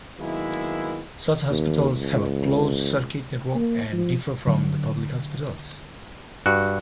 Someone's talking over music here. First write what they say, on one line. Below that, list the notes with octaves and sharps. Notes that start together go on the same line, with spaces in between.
Such hospitals have a closed circuit network and differ from the public hospitals.
D#3 F#3 G#3 A#3 B3 E4
D#2
C#2
A#3
F3
D3 F#3
G2 F#4